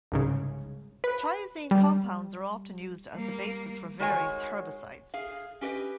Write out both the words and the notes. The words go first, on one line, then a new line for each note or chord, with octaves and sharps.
Triazine compounds are often used as the basis for various herbicides.
C2 G#2 C#3
B4
G3
G3 A#3
D#3 G#3 F#4 C#5 D5 G#5
G#4 F5
C#4 G4 B4 D#5